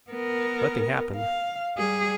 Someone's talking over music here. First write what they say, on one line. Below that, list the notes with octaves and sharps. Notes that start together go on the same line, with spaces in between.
Nothing happened.
B3 A#4
F5
G3 G#4